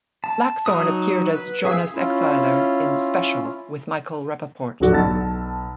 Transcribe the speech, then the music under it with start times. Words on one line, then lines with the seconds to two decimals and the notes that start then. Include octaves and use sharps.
Blackthorne appeared as Jonas Exiler in "Special", with Michael Rapaport.
0.24 A5
0.66 F#3 D#4 F#4 D#6
1.30 B4
1.65 G#4 E5 F5 G#5 E6
1.95 C#4 E4 F4
4.80 D1 D3 F#4 D5
4.92 B1 A5 E6 A6